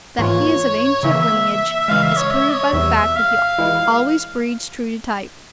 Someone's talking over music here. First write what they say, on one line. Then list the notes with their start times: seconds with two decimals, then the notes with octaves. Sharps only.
That he is of ancient lineage is proved by the fact that he always breeds true to type.
0.18 G#2 E3 A#3 F4 C#5
1.03 C#3 E3 A#3 E5
1.80 E5
1.88 C#3 E3 G#3 F5
2.02 E5
2.17 C#5
2.31 E5
2.52 C#5
2.73 E2 C3 E3 G3 E5
3.16 F5
3.58 E3 G#3 E4